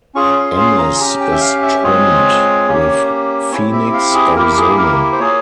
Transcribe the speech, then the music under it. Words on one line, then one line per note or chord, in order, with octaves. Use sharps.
Ennis is twinned with Phoenix, Arizona.
C#4 F4 G#4 C#6
C6
C6
A#5
C#4 G4 A#5
G5
E5
F5
E5
G#3 C4 F4 G#4 C#5
A#3 C#4 G4
C4 E4 G4 C#5
E5
F5
G#4
A#3 E4 G4 A#4
G#4
A#4
C5
A#3 F4 G#4 C#5